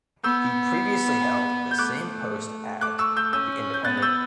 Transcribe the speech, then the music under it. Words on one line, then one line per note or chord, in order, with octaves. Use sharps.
He previously held the same post at "The Independent".
B3 E6 G6
G6
A3 D6 F#6
A3 D6 F#6
C#6 E6
E6 G6
C#4 E6 G6
G6
B3 F#6 A6
A6
E6 G6